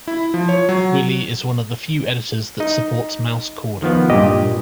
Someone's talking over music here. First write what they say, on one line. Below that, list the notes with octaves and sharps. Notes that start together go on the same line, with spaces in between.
Wily is one of the few editors that supports mouse chording.
E4
F3
C#5
F#3
D#4 D#5
D#3 F3 B3
G2 A#2 G4 D#5